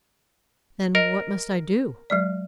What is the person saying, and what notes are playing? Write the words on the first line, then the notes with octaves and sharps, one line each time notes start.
'Then what must I do?'
A#4 D#5
F#3 G#3 D5